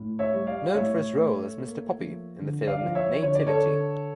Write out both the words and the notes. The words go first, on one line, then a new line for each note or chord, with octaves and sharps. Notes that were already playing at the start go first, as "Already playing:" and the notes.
Known for his role as Mr Poppy in the film "Nativity!".
Already playing: A2
C#5 E5
G3
D5 F5
A2 C#5 E5
A3
A#3
F3
D3
D5 F5
F3
C#5 E5
D3 C#5
D5
A4 C#5
D3